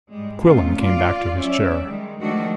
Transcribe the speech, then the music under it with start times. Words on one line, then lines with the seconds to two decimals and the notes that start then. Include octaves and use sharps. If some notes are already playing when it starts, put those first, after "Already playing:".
Quillan came back to his chair.
0.10 G#2 G3 G#3
0.42 C3 A3 C#4 D#4 F4
0.77 F4 D5
1.37 F#3 C#4 D5 E5
1.84 D#3 G3 G#3
2.20 D#3 F3 G#3 A3 D4 F#4